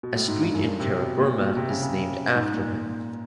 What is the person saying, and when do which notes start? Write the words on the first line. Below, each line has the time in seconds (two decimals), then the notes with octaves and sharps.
A street in Karaburma is named after him.
0.03 B2
0.16 A2
0.28 G#2
0.41 G2
0.55 F#2
0.66 G2
0.80 C3
0.99 B2
1.18 A#2
1.38 B2
1.57 C3
1.70 C#3
1.82 C#3
2.35 G#2
2.54 A#2